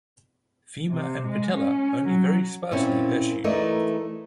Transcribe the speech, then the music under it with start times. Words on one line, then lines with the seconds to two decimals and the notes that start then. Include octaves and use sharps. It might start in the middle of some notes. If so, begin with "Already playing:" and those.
Femur and patella only very sparsely hirsute.
0.90 C3
1.26 G#3
1.55 C#4
2.04 F#3
2.71 A#2 C4 C#4 E4
3.44 E3 A3 D#4 A#4 D5